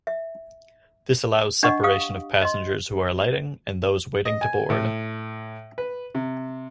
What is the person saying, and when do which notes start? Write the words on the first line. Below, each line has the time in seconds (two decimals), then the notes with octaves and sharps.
This allows separation of passengers who are alighting and those waiting to board.
0.07 E5
1.63 D4 D#5 F#5 C#6
1.83 G4 F5 D#6
2.42 D#5 C6
4.25 D#5
4.41 G#5
4.70 A2
5.78 B4
6.15 C3